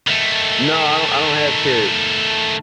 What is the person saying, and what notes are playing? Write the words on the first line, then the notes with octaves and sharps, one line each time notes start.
No, I don't I don't have kids.
D#3 A3